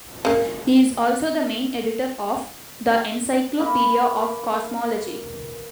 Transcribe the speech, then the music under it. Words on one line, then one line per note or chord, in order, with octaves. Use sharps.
He is also the main editor of "The Encyclopedia of Cosmology".
C#3 A#3
A#3 B4